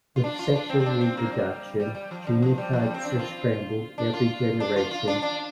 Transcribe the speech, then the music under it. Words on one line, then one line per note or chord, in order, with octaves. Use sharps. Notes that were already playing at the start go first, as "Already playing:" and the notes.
With sexual reproduction, genotypes are scrambled every generation.
F4
D4
F4
D4
C4
C4
D4
C4
A#3
G3
G3
G3
F3
D3
F3
G3
F3
G3
C4
D4
F4
D4
F4
D4
F4
F4
D4
D4